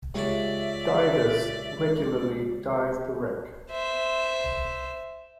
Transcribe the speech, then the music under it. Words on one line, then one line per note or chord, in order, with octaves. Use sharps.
Divers regularly dive the wreck.
C#2 G#3 C#4 G4 D5 E5 A5
C5 E5